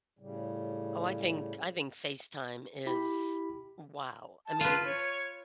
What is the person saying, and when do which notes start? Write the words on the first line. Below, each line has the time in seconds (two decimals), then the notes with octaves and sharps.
Oh, I think I think FaceTime is, wow. I mean,
0.19 A2 C#3 G3
2.86 E4 G4 B5
4.46 A5
4.61 F4 B4
4.84 C#5